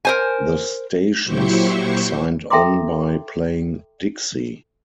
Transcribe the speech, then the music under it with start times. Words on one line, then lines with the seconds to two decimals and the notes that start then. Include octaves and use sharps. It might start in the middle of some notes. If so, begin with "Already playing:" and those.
The stations signed on by playing Dixie.
0.05 A#4 C5 G#5
1.24 A#2 F#3 E4 G4 C5 C#6
2.50 A4 E5 G5 A#5 C6 D6